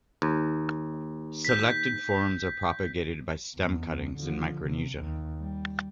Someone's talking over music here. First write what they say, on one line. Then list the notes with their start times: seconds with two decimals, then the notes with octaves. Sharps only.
Selected forms are propagated by stem cuttings in Micronesia.
0.22 D#2
1.45 G6 B6
3.58 E2
4.17 D3 F3
4.62 C3
5.00 D#2
5.39 G3